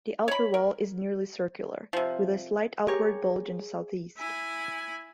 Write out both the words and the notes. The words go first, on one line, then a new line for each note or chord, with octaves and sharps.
The outer wall is nearly circular, with a slight outward bulge in the southeast.
C#5 B5
A#4
C3 F3
G4 G#4 A#4 C#5
E4 G#5